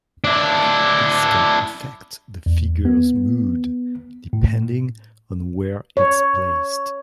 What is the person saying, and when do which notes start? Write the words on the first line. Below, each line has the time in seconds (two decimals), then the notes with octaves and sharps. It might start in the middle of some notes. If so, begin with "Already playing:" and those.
This can affect the figure's mood, depending on where it's placed.
0.24 D4 E4
2.46 E2
2.85 B3
4.33 A2
5.97 C#5